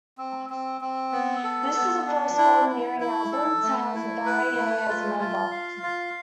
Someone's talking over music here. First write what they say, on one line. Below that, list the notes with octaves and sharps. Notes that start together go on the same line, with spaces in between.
This is the first Golden Earring album to have Barry Hay as a member.
C4
C4
C4
B3
A4
B3
D4
E4
E4
E4
A4
A3
E4
B4
A3
F4
F4
F5
F4